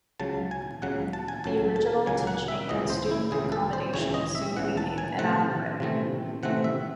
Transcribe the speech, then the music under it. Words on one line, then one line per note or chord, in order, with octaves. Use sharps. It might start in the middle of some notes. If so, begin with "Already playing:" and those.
The original teaching and student accommodation soon became inadequate.
C#2 C#3 F#3 A5
G#5
C#2 C#3 F#3 F#5
A5
G#5
C#2 C#3 F#3 A5
A5
C#2 C#3 F#3 G#5
F#5
E5
C#2 C#3 E3 D#5
C5
E4
C#2 C#3 E3 G#4
A4
C5
C#2 C#3 E3 C#5
D#5
E5
C#2 C#3 E3 F#5
A5
G#5
C3 E3 A3 C4 F#5
C3 E3 A3 C4
C3 E3 A3 C4 F#5
E5